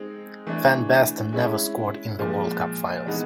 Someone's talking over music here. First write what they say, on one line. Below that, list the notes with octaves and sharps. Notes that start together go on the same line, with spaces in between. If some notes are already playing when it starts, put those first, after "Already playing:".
Van Basten never scored in the World Cup Finals.
Already playing: G#3 C4 D#4 G#4
E3 A3 D4
G#3 C#4 E4
A#2 F3 G#3
E3 G#3 B3 D#4